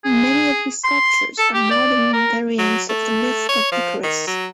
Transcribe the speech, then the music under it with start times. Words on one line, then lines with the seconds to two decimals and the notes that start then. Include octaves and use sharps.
Many of his sculptures are modern variants of the myth of Icarus.
0.05 G#4
0.84 C6
1.38 A4
1.54 G4
1.71 D5
2.13 A#4
2.58 F#3
2.89 A3
3.49 C#5
3.72 F3
4.03 D#3
4.27 F#3